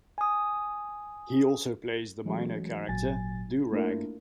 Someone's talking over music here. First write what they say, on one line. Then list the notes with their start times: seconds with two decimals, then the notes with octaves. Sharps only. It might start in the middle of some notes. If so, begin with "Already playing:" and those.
He also plays the minor character Doo Rag.
0.18 G#5 D#6
2.25 E3 F#3 G#3 A3 C#4 F#4
2.88 G#1 A#2 F#3 G#5 A6
3.72 A3 A#3 D4 E4 F4 A#4